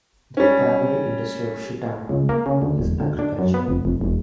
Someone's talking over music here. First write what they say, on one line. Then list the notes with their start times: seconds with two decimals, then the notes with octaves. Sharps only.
The primary industry of Shitara is agriculture.
0.37 G3 C#4
2.09 C#2
2.29 A#3
2.46 C#3
2.62 D2
2.79 E1
3.00 D2
3.19 D4
3.39 F#2
3.54 B3
3.68 F1
3.85 F1
4.01 E1